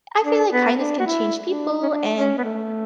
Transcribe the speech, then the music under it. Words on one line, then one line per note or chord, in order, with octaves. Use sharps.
I feel like kindness can change people, and
D4
B3
D4
F#4
E4
D4
C#4
D4
C#4
B3
A3